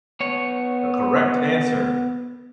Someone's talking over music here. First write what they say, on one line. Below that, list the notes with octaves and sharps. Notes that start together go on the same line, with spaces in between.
the correct answer."
B3 C#5